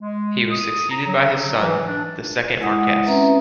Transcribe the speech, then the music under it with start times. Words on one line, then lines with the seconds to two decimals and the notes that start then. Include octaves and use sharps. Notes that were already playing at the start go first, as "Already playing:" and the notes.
He was succeeded by his son, the second Marquess.
0.02 G#3
0.51 D#6
0.89 A#5
1.07 F#3
1.62 E3
1.86 D4
2.60 G#3 E4 F#5 D#6
3.07 C4 C#4 B4 E5 A#5